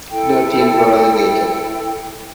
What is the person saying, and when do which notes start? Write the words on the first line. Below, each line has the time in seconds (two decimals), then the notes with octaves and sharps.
No teams were relegated.
0.10 E4 A4 G5